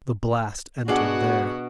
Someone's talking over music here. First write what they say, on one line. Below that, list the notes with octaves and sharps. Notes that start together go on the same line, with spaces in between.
The blast entered there.
B2 D4 F#4 G#4 F#5 D6 F#7